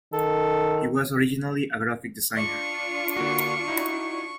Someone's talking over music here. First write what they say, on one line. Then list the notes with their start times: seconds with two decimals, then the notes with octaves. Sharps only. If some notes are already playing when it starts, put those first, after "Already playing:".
He was originally a graphic designer.
0.13 D#3 A4
2.37 D4 F4 D5 C#6
3.17 D3 A#3 F#4
3.68 D#4 E4 F#4